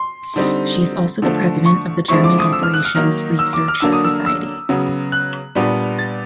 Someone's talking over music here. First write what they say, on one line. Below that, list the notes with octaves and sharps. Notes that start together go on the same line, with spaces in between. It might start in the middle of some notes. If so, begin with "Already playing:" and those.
She is also the president of the German Operations Research Society.
Already playing: C6
D3 G3 C4 D#4
D3 F3 A3
C#6
D3 F3 G#3 C4 E4 C#6
D6
D#6
E6
F6
F#6
F6
D#3 F#3 A#3 D#4 F6
E6
D6
F6
D3 F#3 A#3 D4 E6
D#6
E6
E6
C#3 F#3 B3
F#6
A#2 G3 B3 D4
A6